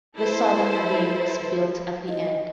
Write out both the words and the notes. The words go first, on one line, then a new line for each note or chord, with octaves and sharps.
The southern wing was built at the end.
E4 A4 B4 C5
D#5